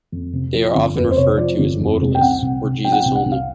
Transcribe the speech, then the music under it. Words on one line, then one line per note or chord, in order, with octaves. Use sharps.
They are often referred to as "Modalists" or "Jesus Only".
F2
C3
F3
G1
F2 B4
C5
C3 C#5
F3 D5
G1
F2
C3
G5
C2 F#5
C2
C3
F3 G5
F#5
G5
C2
F#5
C2
F5